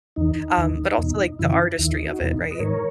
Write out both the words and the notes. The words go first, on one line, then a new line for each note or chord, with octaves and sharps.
Um, but also, like, the artistry of it, right?
E2 D#3 D#4
D#2 D#3
E2 B2
F#2 C#3 E3 E4
D#2 D#3 E4
D#4
D#4 F#4
E2 B2 E4
D#4
B4 D#5
G#2 D#3 A#4 C#5